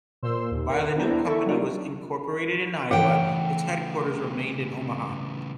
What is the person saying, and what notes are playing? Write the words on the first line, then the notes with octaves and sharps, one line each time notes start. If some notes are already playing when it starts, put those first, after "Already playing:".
While the new company was incorporated in Iowa, its headquarters remained in Omaha.
A#2 C5 C6 E6
D#2
A#4 F#5
B3 D4 E4 C5 G5 A#5
E4 A4 E5 C#6
F#3 G3 A#3 D4 D#4 F4
C#3 E3 A3 F#5 G5